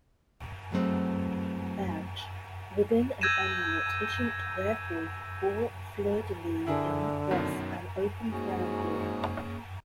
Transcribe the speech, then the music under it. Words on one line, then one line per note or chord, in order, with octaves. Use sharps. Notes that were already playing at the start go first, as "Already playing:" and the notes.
Badge: Within an annulet issuant therefrom four fleurs-de-lys in cross an open crown or.
E3 F#3 G#3 A3 C4
E6 G6 G#6 A#6 D#7 E7
D3 E4 G#4 A#4
F#2 B2 D#3
G#2 A#3 C#4 F#4 G#4